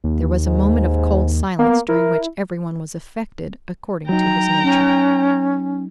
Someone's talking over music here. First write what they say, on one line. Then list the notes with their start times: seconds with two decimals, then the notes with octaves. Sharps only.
There was a moment of cold silence, during which everyone was affected according to his nature.
0.04 D#2
0.46 G#2
1.59 A#3 B3
1.89 E4 A#4
4.09 F#3 D#4 G5 A#5
4.63 C#4